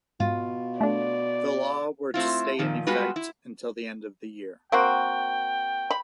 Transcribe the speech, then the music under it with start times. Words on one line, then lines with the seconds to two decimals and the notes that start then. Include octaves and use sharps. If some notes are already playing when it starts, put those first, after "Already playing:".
The law were to stay in effect until the end of the year.
0.20 G#2 B2 F4
0.81 A3 D4 D5
2.14 A3 C4 E4 F4
2.59 A#2 D#3 F3
2.87 G3 G#3 B3 F4 F#4 B4
3.16 E4
4.72 A#3 C4 F#4 G5
5.90 B5